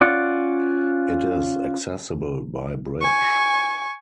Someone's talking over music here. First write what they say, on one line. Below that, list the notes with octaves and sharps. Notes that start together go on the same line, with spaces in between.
It is accessible by bridge.
C#4 F4 D5 F#5
G#5 C#6